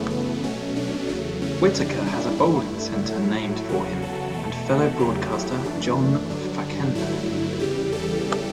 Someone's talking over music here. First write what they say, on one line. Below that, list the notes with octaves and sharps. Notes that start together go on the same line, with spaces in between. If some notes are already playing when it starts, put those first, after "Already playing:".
Whitaker has a bowling center named for him and fellow broadcaster John Facenda.
Already playing: F#2 C#3 E3 A3 B3
B3
B2 F#3 A3 C#4
D4
E2 C#3 F#3 A3
C#4
E2 C#3 G3 D4
E4
G2 D3 A3
A2 F#3 A3
E2 C#3 F#3 F#4
A4
E2 B2 A3 A4
F#4
E2 C#3 F#3 A3 G4
E4
F#2 E3 A3 D4
G2 D3 F#3
G2 D3 F#3 A3 E4
E2 C#3 E3 G3 G4
A4